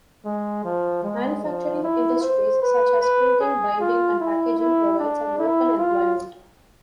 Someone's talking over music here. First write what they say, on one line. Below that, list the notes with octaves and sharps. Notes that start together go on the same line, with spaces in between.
Manufacturing industries such as printing, binding and packaging provide some local employment.
G#3
F3
G#3
F3
E4
C5
B4
B4
G#4
F4
E4
E4
D4
E4
F4